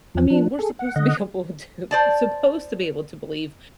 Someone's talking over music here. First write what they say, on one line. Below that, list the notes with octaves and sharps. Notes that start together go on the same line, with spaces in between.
I mean, we're supposed to be able to, supposed to be able to believe
E2 F3
F3 D4
G#4 A4
F#5
D3 D#5 F#5
C5 D5 A5